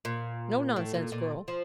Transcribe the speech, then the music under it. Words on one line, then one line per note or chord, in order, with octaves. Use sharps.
No nonsense, girl!
A#2
A2
A#2
A#2
F3